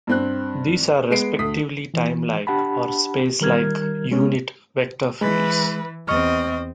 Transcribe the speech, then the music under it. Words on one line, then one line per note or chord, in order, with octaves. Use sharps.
These are respectively timelike or spacelike "unit" vector fields.
G2 C4 F#6
G#3 B3 C7 D7
D2 D#6 B6
E3
D4 G4 F#5 A5 B5
D#3 G3 A#4 F6 G#6
G#3 B3 C#4
E3 G#3 B4
E2 C4 D#5 C#6 F6